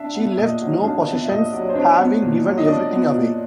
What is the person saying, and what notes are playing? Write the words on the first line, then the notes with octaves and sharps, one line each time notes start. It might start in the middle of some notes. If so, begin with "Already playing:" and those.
She left no possessions, having given everything away.
Already playing: D4 E5
B3
E5
A#2 D#5
F#3
D4 F5
B3 E5
E5
A#2 D#5
F#3 D5
C#5
C5
D4 C#5
B3
A#2
F#3
D#5
D4 D5
B3
A#2